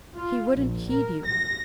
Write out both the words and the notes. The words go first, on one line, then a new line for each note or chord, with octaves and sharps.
"He wouldn't heed you."
F4
A#1
A#4
A#6